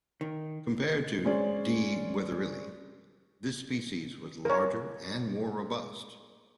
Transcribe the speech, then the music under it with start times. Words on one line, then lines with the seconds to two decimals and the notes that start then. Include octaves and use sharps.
Compared to "D. wetherilli", this species was larger and more robust.
0.21 D#3
1.25 G#3 C#4 C5 D5
4.45 A#4 C#5